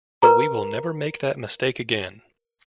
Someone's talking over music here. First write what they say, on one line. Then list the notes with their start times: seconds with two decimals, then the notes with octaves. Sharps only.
But we will never make that mistake again.
0.22 A#4 B4 A#5